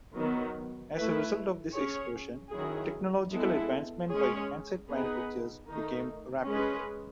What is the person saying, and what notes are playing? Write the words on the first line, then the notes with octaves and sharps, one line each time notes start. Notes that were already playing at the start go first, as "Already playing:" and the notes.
As a result of this explosion, technological advancement by handset manufacturers became rapid.
D#3 F#3 B3
A3 E4 B4
C#4 G#4 C#5
D#3 F#3 C#4 E4 G#4
G#3 B3 E4 A4
G#3 C#4 G#4 C#5
B3 D#4 G#4 B4
D#3 A3 D#4
G#3 C#4 G#4 B4